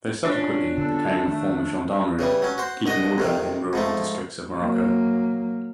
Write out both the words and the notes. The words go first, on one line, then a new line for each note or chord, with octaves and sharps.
They subsequently became a form of gendarmerie, keeping order in rural districts of Morocco.
C#4 D4 F4
D3 B3 A4
D#3 A3
C#3 E3 G3
F#3 C#4
F#4 C5
C2 F#4 D#5
F2 C3 D#3
G#2 F3 A3
F#3 A#3